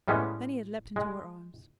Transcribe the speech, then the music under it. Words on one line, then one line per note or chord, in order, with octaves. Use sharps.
Then he had leapt into her arms.
A2 G3 G#3 B3 C#4
G#3